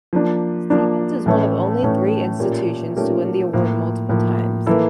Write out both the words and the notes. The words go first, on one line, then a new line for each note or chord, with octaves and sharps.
Stevens is one of only three institutions to win the award multiple times.
F3 A#3 D4
F3 A#3 D4
A2 E3 A3 C#4
A2 E3 A3 C#4
A#2 A3 C#4 G4 A#4
A#2 A3 C#4 G4 A#4
A2 F3 A#3
A2 F3 A#3
E3 A#3 E4 A4